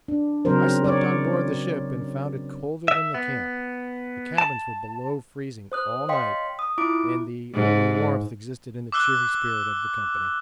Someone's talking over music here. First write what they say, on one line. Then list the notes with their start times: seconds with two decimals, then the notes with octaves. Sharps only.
I slept on board the ship and found it colder than the camp--the cabins were below freezing all night and the only warmth existed in the cheery spirit of the company.
0.08 D4
0.45 C#3 F#3 C4 A#4 C5
0.84 C#5 D5
2.88 E5
3.14 B3
4.38 A5
5.72 C5 D#6 F#6
6.09 C#5 D#5 F5 G5 C6 B6
6.59 D#6
6.78 E4 F4 D6 D7
7.54 G#2
8.92 D6 E6 F#6 G7